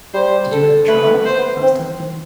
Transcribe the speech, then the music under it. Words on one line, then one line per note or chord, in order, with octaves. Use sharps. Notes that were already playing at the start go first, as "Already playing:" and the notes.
"Did you ever try?" asked Aunt Emmy.
G3 C5
A4
A3 B4
A3
B3
C5
B3
C4